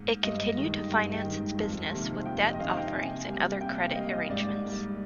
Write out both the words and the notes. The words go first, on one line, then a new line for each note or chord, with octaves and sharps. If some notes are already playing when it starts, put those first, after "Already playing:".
It continued to finance its business with debt offerings and other credit arrangements.
Already playing: G#2 A#3
G2 D#5
D#3 G#3
G2 G5
D#3 G#3
F2
C3 D#3 A#3
F2 G5
D#5
D#5
C3 D#3 A#3 F5
G5
C3 G#5
G3 A#3
C3 G5
F5
G3 A#3 D#5
D#5
G#2 D5
G3 A#3